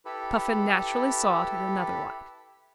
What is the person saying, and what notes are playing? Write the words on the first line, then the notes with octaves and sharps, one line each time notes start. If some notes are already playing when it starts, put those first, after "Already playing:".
Puffin naturally saw it in another light.
E4 G4 A4 B4